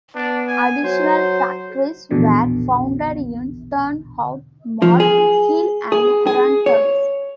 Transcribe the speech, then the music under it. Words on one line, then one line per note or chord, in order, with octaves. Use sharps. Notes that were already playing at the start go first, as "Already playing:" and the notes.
Additional factories were founded in Turnhout, Mol, Geel and Herentals.
B3 D4
G#5
F#3 C5
A#1 E2 B2 D3
F3
G#4
G#4
G#4
C#5